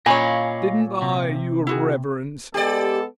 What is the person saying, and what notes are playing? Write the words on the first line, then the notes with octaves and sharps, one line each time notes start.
Didn't I, your Reverence?
A#2 C#4 C#5 D#5 F5 G#5 B5
C3
E4 F#4 G#4
G#3 B3 G4 A4 D5